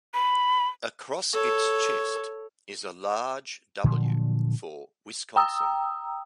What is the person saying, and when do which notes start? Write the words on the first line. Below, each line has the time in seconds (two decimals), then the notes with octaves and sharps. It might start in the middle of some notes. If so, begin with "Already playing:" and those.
Across its chest is a large W, for Wisconsin.
0.14 B5
1.33 A4 C#5
3.84 A#2 D3 F3 F#3
5.36 G5 A#5 D#6 E6